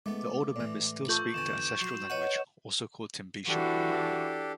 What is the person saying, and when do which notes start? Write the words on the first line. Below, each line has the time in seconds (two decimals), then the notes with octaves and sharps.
The older members still speak the ancestral language, also called Timbisha.
0.06 G#3 A3 B3 D6
0.56 A2 E3 D5
1.08 F4 A4 C#6 G6 F#7
1.34 E2 D3 G#5 E7
1.81 F#3 C6
2.10 B4 C#5 D#5 F#5
3.49 E3 D4 F#4 G4 A4